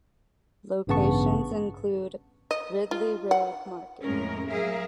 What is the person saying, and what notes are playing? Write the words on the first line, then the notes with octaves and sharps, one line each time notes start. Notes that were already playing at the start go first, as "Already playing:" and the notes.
Locations include Ridley Road market.
A1 G2 C#3 B3 A5 C#6
D#5
F4
F#5
F2 A2 G#3 C#4 A#4
F#3 G#4 A#4 E5 F5